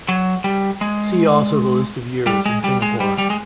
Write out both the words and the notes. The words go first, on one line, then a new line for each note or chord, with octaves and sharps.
See also the list of years in Singapore.
F#3
G3
G#3
G3
G#3
G3
G#3
G3
G3
G#3